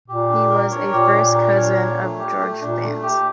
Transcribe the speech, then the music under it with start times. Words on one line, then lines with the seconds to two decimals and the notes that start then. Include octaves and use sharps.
He was a first cousin of George Fant.
0.08 A#2 G4
0.29 D4
0.50 A#4
0.71 C#5
0.92 A#2 G4
1.14 D4
1.35 A#4
1.56 C#5
1.77 D4
1.99 A3
2.19 G4
2.41 A3
2.61 A#2 D4
2.83 A3
3.03 G4